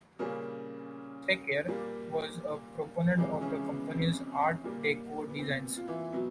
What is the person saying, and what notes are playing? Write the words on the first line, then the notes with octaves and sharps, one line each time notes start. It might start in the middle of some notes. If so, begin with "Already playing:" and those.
Sakier was also a proponent of the company's Art Deco designs.
A#2 C#3 G3 A#3 C#4
A#2 G3 A#3
F2 C3 E3 G#3
C#3 C#4
B3
C4
A#2 G3 A#3
B3
C4
F4
E3 E4
B2 F#3 B3